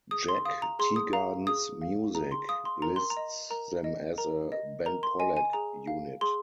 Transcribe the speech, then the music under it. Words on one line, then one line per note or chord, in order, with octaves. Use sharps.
"Jack Teagarden's Music" lists them as a "Ben Pollack Unit".
G#4 D#6
C6
F5 D#6
A#5
G#4 C6
D#6
F5 A#5
G#4 D#6
F5
G#4 A#5
C6
F5 D#6
C6
A#4 A#5
C6
A#5
D#5
A#4 A#5
D#5
A#4 A#5
D#5
A#4 A#5
C6
D#5 G#5
G#5
G#4 A#5
F5
G#4 C6